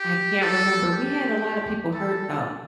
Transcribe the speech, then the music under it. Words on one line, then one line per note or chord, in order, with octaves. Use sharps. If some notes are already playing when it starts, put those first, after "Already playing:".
I can't remember. We had a lotta people hurt, though,
Already playing: G4
A4
G4
A4